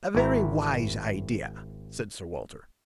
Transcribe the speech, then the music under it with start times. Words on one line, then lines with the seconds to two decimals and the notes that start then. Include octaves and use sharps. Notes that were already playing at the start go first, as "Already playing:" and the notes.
"A very wise idea," said Sir Walter.
0.15 G#1 E4 A#5